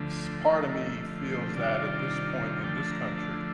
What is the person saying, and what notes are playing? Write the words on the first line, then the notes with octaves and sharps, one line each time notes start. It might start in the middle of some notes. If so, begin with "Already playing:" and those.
s part of me feels that at this point in this country,
Already playing: D2 D3 F3 A3
D3 F3 A3 A#4
C5
C3 D#3 G3 D4 F4 D5
D3 F3 A3 D4 G5
A5
A#5
A#5
A5